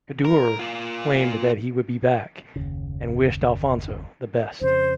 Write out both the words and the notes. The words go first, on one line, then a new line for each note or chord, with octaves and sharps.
Kaddour claimed that he would be back and wished Alfonso the best.
A#4
A#3 F4
F#1 D#2 C#3
F2 C#3 C5